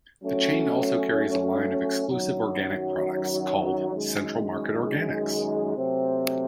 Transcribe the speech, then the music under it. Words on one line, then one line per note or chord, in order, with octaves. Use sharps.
The chain also carries a line of exclusive organic products called "Central Market Organics".
F#3 A3 C#4
F#2 D#3 F#3
F#2 D#3 G#3
C3 F#3 A3 C4